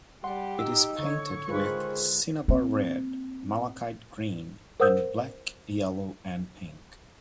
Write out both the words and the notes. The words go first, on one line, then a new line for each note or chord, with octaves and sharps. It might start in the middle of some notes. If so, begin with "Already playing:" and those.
It is painted with cinnabar red, malachite green, and black, yellow, and pink.
G3 G4 F#5 C6
D#4 E6
D3 C#5 C#6
D#3 G#3 F4 G#4 B4 C5
A#3 C4
A#4 C5 F#5 D#6 E6 G6